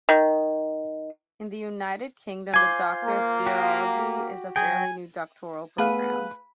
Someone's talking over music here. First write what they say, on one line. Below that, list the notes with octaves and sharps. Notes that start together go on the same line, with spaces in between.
In the United Kingdom, the Doctor of Theology is a fairly new doctoral program.
D#3
F4 C5 G#5 D6 G#6
A#3
F#4 G4
F#3 G5 G#5
A3 B3 G#4 B4 F5